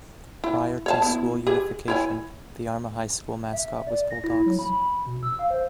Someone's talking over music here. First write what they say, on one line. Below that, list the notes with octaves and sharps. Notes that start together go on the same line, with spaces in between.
Prior to school unification, the Arma High School mascot was Bulldogs.
E4
C#5 F5 A5
B3 E4
G4 G#4
E4 C#5 G#5
E5
D5
A#6
E4
F#3
B5
B2
E6
F5
C5